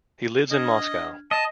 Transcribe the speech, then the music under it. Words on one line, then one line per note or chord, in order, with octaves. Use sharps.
He lives in Moscow.
D4 D#5 F6 G#6
D#5 A5